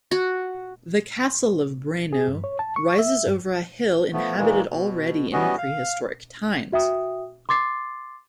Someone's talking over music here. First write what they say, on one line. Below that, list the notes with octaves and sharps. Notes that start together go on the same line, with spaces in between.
The Castle of Breno rises over a hill inhabited already in prehistoric times.
F#4
G#4
G2
C#5
A5
C#6
E5
G2
F3 A3 B3
A#2 D#3 E3 G#3 A#3
B2
E3 G3 B3 C#4 F#4 D#5
F5
F#4 E5 G5 D#6
C6 D6 A6 C7